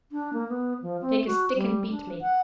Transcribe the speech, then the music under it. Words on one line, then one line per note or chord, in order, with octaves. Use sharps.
Take a stick and beat me.
D4
A#3
B3
F3
C4
F#4
G3
D4
F#5